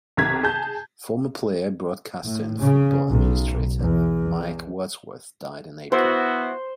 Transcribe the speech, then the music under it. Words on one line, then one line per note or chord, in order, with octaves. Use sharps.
Former player, broadcaster and football administrator, Mike Wadsworth died in April.
B1 C3 D#3 A#5 G#6 B6
G#4 A5 G6
A2
C#3
B1
E2
B3 E4 F#4 C5